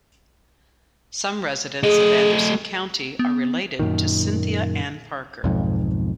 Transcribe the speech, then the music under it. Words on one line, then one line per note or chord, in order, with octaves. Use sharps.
Some residents of Anderson County are related to Cynthia Ann Parker.
A3 G#4 D#5
B3
F#2 A#2 D#3
B1 F2 G#2